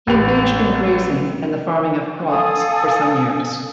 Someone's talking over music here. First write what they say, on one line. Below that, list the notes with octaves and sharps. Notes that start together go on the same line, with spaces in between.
He engaged in grazing and the farming of crops for some years.
A1 G4 B4 F7
A4 F5 G#5 D#6